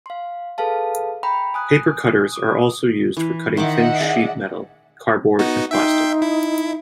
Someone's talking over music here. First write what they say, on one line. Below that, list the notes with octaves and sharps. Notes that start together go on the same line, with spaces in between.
Paper cutters are also used for cutting thin sheet metal, cardboard, and plastic.
F5 C6
G#4 A4 B4 F5 A5
G5 A#5 B5
G#5 D#6 F#6
D6 D#6
E3
D#3 C5 D#5 E5 F#5 D6
G#4 D5
B3 D#4 F#4
D#4 E5 G5 C6
E4